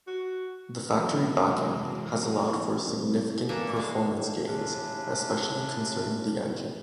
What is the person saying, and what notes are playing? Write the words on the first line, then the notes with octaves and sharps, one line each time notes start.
The factory backing has allowed for significant performance gains, especially concerning the engine.
F#4
C3 E3 F#3 G#3 A#3 C4
C2
E3 A#3 D4 A4 E5
G#3 F5
D#2 A2 C3 C#4 D4